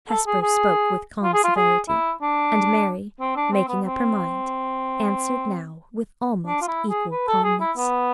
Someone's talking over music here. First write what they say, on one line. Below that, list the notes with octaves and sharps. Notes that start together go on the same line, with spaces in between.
Hesper spoke with calm severity, and Mary, making up her mind, answered now with almost equal calmness.
A4
G#4
G#4
F4
G#4
F4
G#4
E4
D4
C4
D4
C4
B3
C4
D4
F4
E4
G#4
B4
A4
G#4
E4
B3